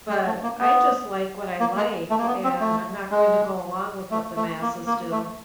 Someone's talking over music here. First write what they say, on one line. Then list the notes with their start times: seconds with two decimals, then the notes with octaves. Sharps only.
but I just like what I, like, and I'm not going to go along with what the masses do.
0.10 G#3
0.26 A3
0.43 A#3
0.60 B3
1.60 A#3
1.77 G#3
2.10 A3
2.19 A#3
2.27 B3
2.44 C4
2.61 A3
3.11 G#3
4.11 A3
4.36 A3
4.61 A#3
4.86 A#3
5.11 A3